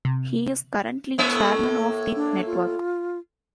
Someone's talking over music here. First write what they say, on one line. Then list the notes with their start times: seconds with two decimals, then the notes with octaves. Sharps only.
He is currently Chairman of the Network.
0.05 C3
1.18 A2 A#3 E5
2.16 D4
2.46 F4